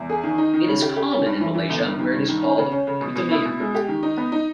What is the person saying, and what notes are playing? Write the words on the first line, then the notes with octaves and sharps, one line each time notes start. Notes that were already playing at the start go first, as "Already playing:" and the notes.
It is common in Malaysia, where it is called "putumayam".
Already playing: E2
G#4
D#3
D#4
D#3
C#3
G4
G4
C#4
G2
E3
E3
G1
G2
D#3
G2
D#3
C#4
C#3
C#4
C#3
B2
B2
E4
B2
G#3
G4
D#3
D#4
B3
D#4